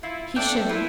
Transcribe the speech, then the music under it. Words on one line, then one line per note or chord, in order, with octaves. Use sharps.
He shivered.
E4 F4
D4 A4 E5 G5
E4 F4